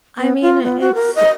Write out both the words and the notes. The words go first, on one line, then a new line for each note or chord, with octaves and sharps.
I mean, it's
B3
F4
B3
F#4
A#4
D#5